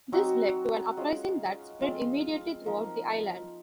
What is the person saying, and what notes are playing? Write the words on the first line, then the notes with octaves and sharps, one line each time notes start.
This led to an uprising that spread immediately throughout the island.
F#3 C4 D#4 F#4
G#3 C#4 F4
F3 G#3 C4 F4
F3 A#3 D#4